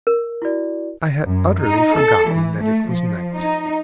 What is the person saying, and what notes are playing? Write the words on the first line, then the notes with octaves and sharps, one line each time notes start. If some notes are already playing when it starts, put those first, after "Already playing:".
I had utterly forgotten that it was night.
A#4
E4 F#4 D5
F#2
D#4
A4
E3
A3
F3
D#4